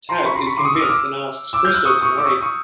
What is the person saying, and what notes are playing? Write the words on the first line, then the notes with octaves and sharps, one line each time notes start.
Tad is convinced and asks Krystal to marry him.
A#5 C6
B5 C#6
A#5 C6
B5 C#6
C6 D6
C#6 D#6
D6 E6
D#6 F6
D6 E6
D6 E6
F6 G6
E6 F#6
C#6 D#6
C#6 D#6
D6 E6
C#6 D#6
C#6 D#6